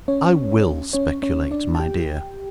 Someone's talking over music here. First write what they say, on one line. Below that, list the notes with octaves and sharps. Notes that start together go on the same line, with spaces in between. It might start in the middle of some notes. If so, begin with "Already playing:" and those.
I WILL speculate, my dear.'
C#4 C#5
C#4 C#5
C#4 C#5
D4 D5
A5
G4 G5